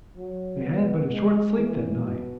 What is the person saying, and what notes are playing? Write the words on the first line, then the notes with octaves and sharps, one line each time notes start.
They had but a short sleep that night.
F#3
B3
G#3
E3
B2